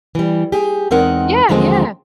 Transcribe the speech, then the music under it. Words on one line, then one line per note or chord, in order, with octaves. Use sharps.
Yeah, yeah.
E3 G3
G4 G#4
E2 G#3 C4 D#4 A#4 F#5
D#2 D3 F3 F#3 G#3 C4